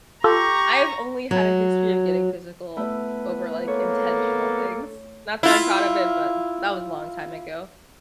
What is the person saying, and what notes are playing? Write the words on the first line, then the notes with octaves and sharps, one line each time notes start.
I've only had a history of getting physical over, like, intentional things. Not that I'm proud of it, but that was long time ago.
F4 G4 A4 A#5 C#6
F#3
A3 B3 E4 B4
A#3 A4 C#5
E4 F4